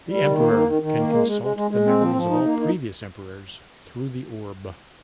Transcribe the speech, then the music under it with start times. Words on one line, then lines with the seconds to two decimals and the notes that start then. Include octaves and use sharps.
The Emperor can consult the memories of all previous emperors through the Orb.
0.09 G3
0.24 D#3
0.38 A#3
0.52 D#3
0.67 D#3
0.82 D#3
0.97 A#3
1.12 G#3
1.27 G#3
1.42 G#3
1.56 G#3
1.71 G#3
1.86 C4
2.01 F3
2.16 F3
2.30 D#4
2.45 A#3
2.60 D#4